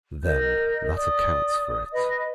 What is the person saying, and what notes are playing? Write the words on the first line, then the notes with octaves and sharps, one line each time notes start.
Then that accounts for it.
A#4 D#5 G6
D5 D#6
B4 D#5